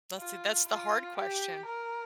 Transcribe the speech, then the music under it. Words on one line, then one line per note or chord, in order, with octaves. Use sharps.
That's th that's the hard question.
F4
F4
G4
A#4